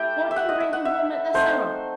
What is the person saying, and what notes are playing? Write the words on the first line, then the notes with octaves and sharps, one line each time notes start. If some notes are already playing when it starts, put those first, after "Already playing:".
What can bring him home at this hour?
Already playing: A3 E4 G4 E5 G5
E5
F#5
D#5
E5
F#5
E5
A3 C4 D#4 C5